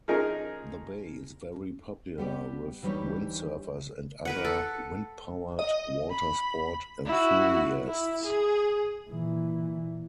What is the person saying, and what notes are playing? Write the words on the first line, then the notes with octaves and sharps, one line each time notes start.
The bay is very popular with windsurfers and other windpowered watersport enthusiasts.
F3 C#4 D#4 G#4 A#4
G3 B3 G4
D2 E3 G3 D#4 G4 C#5
A#4 B4 F#5
A4
D#5
B5
E4 F#4
E4
G#4
A#2 E3